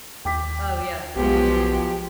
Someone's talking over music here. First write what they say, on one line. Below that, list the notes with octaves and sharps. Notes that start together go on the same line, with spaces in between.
Oh, yeah.
D#2 G5 D6 B6
B1 F3 F#3 G#3 B3 G4